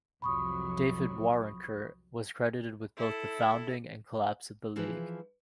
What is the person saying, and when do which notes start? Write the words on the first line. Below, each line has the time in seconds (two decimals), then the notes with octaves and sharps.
David Waronker was credited with both the founding and collapse of the league.
0.22 C2 F2 F#3 B5 C#6 D#6
2.97 E4 A4
4.76 E3 F3 E4 G#4 B4